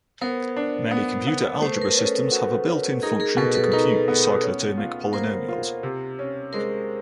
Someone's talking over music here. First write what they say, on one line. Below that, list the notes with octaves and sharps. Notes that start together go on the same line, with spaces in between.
Many computer algebra systems have a built in function to compute the cyclotomic polynomials.
B3 A#4 C5
D4
B3
B3
A3 C5
B4
A#4
C#4 A4 B4
F#4
C#4
D#4 G#4 A#4
G#4 A#4
B2 A4 B4
A4 B4
D#4 A4 B4
B3
C#4
F4
A#3 A#4 C5
F4
C3
C#4
G#3 A#4 C5